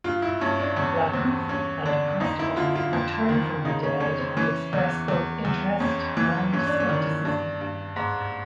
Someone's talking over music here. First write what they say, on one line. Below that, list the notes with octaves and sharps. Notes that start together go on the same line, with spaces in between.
Lacouf and Presto return from the dead and express both interest and scepticism.
G2 F4
E4
G2 C#4
D4
E2 C#4
E2 C4
G2 C#4
D3 D4
F2 D#4
E4
D3 F4
F4
F2
D#3
C#3 D#4
C#4
F2 C#4
C4
E3 C#4
E2
E2
E2
F2 C#4
E3
G2 C#4
D4
C#4
D#3
G2 D4
G2
G#2